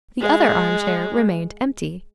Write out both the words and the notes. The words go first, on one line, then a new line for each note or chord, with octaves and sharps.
The other arm-chair remained empty.
G#3